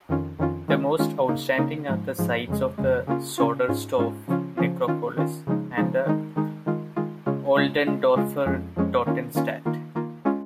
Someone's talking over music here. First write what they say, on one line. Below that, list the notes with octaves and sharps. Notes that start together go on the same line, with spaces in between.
The most outstanding are the sites of the Soderstorf Necropolis and the Oldendorfer Totenstatt.
F2 D#3 C#4 F4
F2 D#3 C#4 F4
D#3 G#3 C#4 F4
D#3 G#3 C#4 F4
C#3 A#3 D#4
C#3 A#3 D#4
G#2 F3 G#3
G#2 F3 G#3
F2 C#3 G#3
F2 C#3 G#3
C#3 A#3 C#4 F4
C#3 A#3 C#4 F4
G#2 G#3 C#4 F4
G#2 G#3 C#4 F4
C#3 F3 C#4 F4
C#3 F3 C#4 F4
D#3 C#4 F4
D#3 C#4 F4
C#3 F3 G#3 D#4
C#3 F3 G#3 D#4
D#3 G#3 D#4
D#3 G#3 D#4
D#3 G#3 F4
D#3 G#3 F4
C#3 G#3 C#4 F4
C#3 G#3 C#4 F4
C#3 G#3 F4
C#3 G#3 F4
F2 F3 G#3 C#4
F2 F3 G#3 C#4
D#3 A#3 C#4 F4
D#3 A#3 C#4 F4
D#3 A#3 F4
D#3 A#3 F4
G#3 C#4 F4